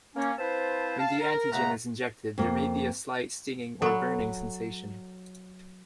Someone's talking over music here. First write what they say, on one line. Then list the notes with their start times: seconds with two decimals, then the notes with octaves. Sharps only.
When the antigen is injected, there may be a slight stinging or burning sensation.
0.16 A#3 C#4
0.38 C4 E4 B4 C5 F5 A5
0.99 F5 A5
1.19 A#4
1.52 E2 C#3 A3 B4 F#5 A#5
2.38 F2 A#3
3.82 F#3 A4 B5